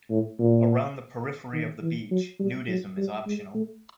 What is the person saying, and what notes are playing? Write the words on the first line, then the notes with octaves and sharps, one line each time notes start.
Around the periphery of the beach, nudism is optional.
A2
A#2
D#3
E3
F#3
G3
F#3
G3
G#3
A3